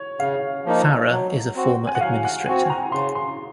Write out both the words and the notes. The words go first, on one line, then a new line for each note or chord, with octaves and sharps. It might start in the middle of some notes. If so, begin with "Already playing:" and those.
Farrah is a former administrator.
Already playing: C#5
C#3 F5
F3 A#3 D#4
F#3
C4 F#4
G#5
F#5
F#3 F5
F#5
C4 F#4 G#5
A#5
C#3 C6
C6